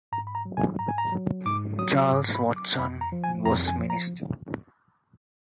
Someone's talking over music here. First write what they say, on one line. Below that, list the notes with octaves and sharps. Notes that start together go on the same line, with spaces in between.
Charles Watson, was minister.
G#2 A#5
B5
A#5
F#3
G#5
G#2 A#5
G#5
A#5
F#3
G#2 D6
F#3 D#6
G#2 D6
B5
F#3
D6
F2 B5
A#5
F3
G#5
F2 A#5
G#5
F3
A#5